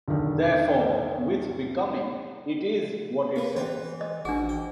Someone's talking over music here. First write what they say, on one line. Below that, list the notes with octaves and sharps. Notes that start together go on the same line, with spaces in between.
Therefore, with 'Becoming,' it is what it says.
B1 E2 D3 D#3
A#3 B4
E3 G4 C5
D#5
A1 D4 F#4 G#4
G5